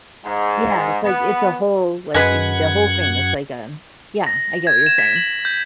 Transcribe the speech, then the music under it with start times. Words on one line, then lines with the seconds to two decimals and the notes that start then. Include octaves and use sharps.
Yeah, it's, like, it's a whole, like, eve the whole thing, it's like a yeah, I get what you're saying.
0.24 G#2
1.04 B3
2.14 F#2 G#3 B4 F#5 G#6
4.27 A#6
4.67 G#6
4.86 E7
4.98 B6
5.16 F#7
5.45 G6